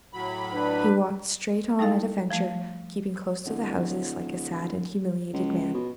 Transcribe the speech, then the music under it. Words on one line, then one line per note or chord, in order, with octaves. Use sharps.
He walked straight on at a venture, keeping close to the houses like a sad and humiliated man.
A2 F#3 B5
D4 B4
G3 A3 D#4 E4 A4 F5
F3 A3
D1
C#2
B2